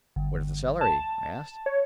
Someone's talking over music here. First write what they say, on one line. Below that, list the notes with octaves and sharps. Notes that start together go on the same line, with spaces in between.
"What is the salary?" I asked.
G1
A5
C#5